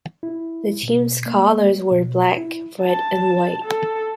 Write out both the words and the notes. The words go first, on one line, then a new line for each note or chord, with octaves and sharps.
The team's colors were black, red and white.
E4
B2
A#3
B2
E4
A5
A4